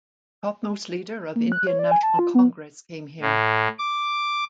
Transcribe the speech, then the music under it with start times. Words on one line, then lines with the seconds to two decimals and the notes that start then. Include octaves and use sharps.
Topmost leader of Indian National Congress came here.
1.36 A#3
1.52 F#6
1.67 C#5
1.79 D5
1.91 G#5
2.03 A5
2.19 F4
2.35 B3
3.21 A2
3.79 D6